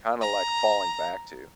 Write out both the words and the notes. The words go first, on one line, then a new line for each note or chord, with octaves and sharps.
kind of like falling back to
A#5